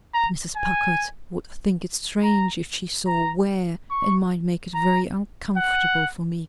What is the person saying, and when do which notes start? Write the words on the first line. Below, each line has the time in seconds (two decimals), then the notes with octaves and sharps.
Mrs. Packard would think it strange if she saw where, and might make it very uncomfortable for me.
0.14 A#5
0.56 G#5
2.23 A#5
3.06 A#5
3.90 C#6
4.74 A#5
5.57 F#5